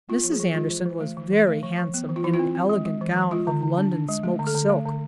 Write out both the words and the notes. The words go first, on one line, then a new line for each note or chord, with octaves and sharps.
Mrs. Anderson was very handsome in an elegant gown of London-smoke silk.
B3 F4
F3
G#4
F3
G#3 F4
E3
E3
A3
E3
E3
A3
F3
F3
B3
E3
F4
E3 E4
F4
C4
C4
G#3
G#3
E3
E3
G#3 F4
D3
D3
D4
D4
G#3
A3
D3
A4
D3
A3
D3